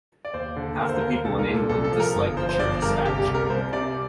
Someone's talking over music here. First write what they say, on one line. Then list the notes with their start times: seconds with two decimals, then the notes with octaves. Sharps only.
Half the people in England dislike the church establishment.
0.25 D5
0.34 D#2 C5
0.56 D3
0.79 D#2 A#4
0.89 C5
1.00 D#2 A#4
1.25 C2 A4
1.39 A#4
1.47 A#2
1.54 A4
1.69 C2 A4
1.84 A4
1.92 F3
2.00 A#4
2.15 G1
2.37 F3 C5
2.49 C5
2.59 G1 D5
2.82 G2 A#4
3.05 C2 G4
3.20 G4
3.27 C2
3.34 A#4
3.50 C2 C5
3.73 C3 D5